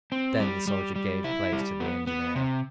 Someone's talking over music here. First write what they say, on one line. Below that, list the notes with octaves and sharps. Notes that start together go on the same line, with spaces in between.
Then the soldier gave place to the engineer.
C4
G3
G3
G3
E4
G3
B3
B3
C3